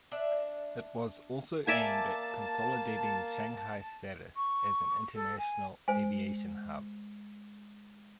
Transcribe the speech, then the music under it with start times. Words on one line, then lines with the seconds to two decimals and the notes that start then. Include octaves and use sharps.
It was also aimed at consolidating Shanghai's status as an international aviation hub.
0.12 D4 E5
1.67 A#3 D5 E5 G#5 A5
4.36 C#6
5.14 A4
5.38 G#5
5.88 G#3 C5 G#5